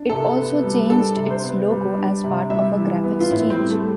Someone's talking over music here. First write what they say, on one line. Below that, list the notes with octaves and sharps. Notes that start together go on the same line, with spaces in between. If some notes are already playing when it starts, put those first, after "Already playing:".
It also changed its logo as part of a graphics change.
Already playing: D4
C3 A4
B3
G3
D4 A4
C3
C5
B3
G3
D4
C3
G3 E5
E3
B3
F4
A2 E4
C4
G3
A3